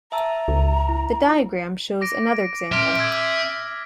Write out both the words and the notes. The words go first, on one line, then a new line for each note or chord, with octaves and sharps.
The diagram shows another example.
E5 A5 A#5 E6
C#2
E4
D6 A#6 D7
E5 C6 F6 B6
D6 E6 G#6